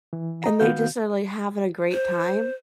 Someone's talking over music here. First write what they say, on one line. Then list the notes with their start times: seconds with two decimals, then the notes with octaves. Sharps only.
and they just are like having a great time.
0.13 E3
0.44 D#5 A#5
0.60 D#3 B3 F#4 F5 G6
1.92 C5